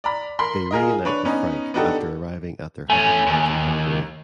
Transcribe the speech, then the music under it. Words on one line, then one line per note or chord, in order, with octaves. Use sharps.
They reunite with Frank after arriving at their hunting lodge in Hungary.
D5 A#5 B5
A#4 B5 C6
F4 G#4 A#4 D#5
D4 B4 C#5
B3 C#4 D#4
B3 D4 D#4 F#4 G4 A4
A3 C#4 G#5
D#2